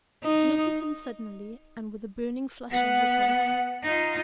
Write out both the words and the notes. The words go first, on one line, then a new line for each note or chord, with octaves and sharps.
She looked at him suddenly, and with a burning flush on her face.
D#4
B3 F#5
D#4 F4